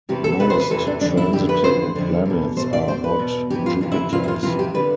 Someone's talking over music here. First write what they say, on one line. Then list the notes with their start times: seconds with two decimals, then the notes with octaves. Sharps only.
Most transiting planets are hot Jupiters.
0.09 E2 C3 E3 G4
0.24 A4
0.39 E2 C3 E3 B4
0.50 C5
0.60 B4
0.70 E2 C3 E3 A4
0.87 D4
1.01 F2 D3 D4
1.17 E4
1.33 F2 D3 G4
1.49 B4
1.63 F2 D3 C5
1.95 F2 D3
2.25 E2 B2
2.57 E2 B2 C5
2.73 D5
2.88 B2 C5
2.93 E2
3.04 B4
3.18 E2 B2
3.50 F2 C3 E3 G4
3.66 F4
3.81 F2 C3 E3
3.92 E4
4.12 F2 C3 E3 F4
4.24 E4
4.28 F4
4.43 F2 C3 E3 F4
4.59 G4
4.75 D3 B4